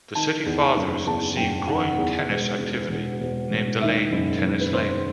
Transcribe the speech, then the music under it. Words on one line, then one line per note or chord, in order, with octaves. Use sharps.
The city fathers, seeing growing tennis activity, named the lane Tennis Lane.
D#3 A5
E2
A5
F#1
E2 A5
F#1 G5
D#3 F#5
E2
E1
E1
E1
E1
E1
D#3 E5
F#1
F#1
B4
D#3 C5